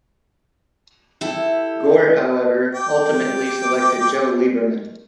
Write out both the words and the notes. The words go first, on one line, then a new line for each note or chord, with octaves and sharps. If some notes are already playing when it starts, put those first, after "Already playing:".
Gore, however, ultimately selected Joe Lieberman.
E4 G4 A4
G5 D6